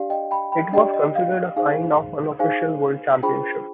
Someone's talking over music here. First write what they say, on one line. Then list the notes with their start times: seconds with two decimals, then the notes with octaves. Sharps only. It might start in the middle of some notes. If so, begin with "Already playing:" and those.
It was considered a kind of unofficial World Championship.
Already playing: D4 G4 D5 F5
0.10 D#5 G5
0.31 G5 B5
0.52 G5 B5
0.73 D4 G4 D5 D#5 G5
0.94 D#5
1.15 F5
1.56 D#4 G#4 C5 F5
2.39 D#4 G#4 C5 F5 G#5
3.23 D4 F4 G#4 C5 G5 B5